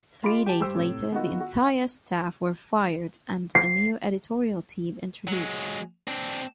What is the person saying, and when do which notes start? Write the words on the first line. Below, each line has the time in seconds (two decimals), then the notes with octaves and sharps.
Three days later the entire staff were fired and a new editorial team introduced.
0.23 G#3 F4 B5 C6 D6 D7
0.46 G4 A5
0.60 G2 G4 C5 E6
0.75 A2 C3
1.12 D#3 B3 D#4 F4 F#4
1.40 F#4
3.55 C7
5.28 F#3 G#3
6.08 C4 D4